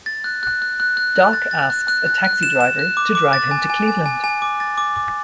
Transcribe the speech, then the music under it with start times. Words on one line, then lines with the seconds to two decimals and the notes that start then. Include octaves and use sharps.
Doc asks a taxi driver to drive him to Cleveland.
0.06 A6
0.24 F#6
0.43 F#6
0.62 F#6
0.80 F#6
0.97 F#6
1.16 F#6
1.33 A6
1.51 A6
1.70 F#6
1.88 F#6
2.06 F#6
2.25 F#6
2.43 E7
2.60 E7
2.79 F#6
2.97 D6
3.15 D6
3.33 A6
3.51 G#5
3.70 G#5
3.88 G#5
4.06 G#5
4.24 G#5
4.42 D6
4.60 A6
4.78 D6
4.96 D6